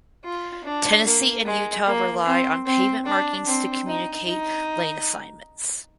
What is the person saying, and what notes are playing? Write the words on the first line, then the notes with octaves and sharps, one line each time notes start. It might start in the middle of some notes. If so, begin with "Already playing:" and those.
Tennessee and Utah rely on pavement markings to communicate lane assignments.
F4
D4
A#3
G#3
A#3
C4
C4
D4
C4
D#4
D#4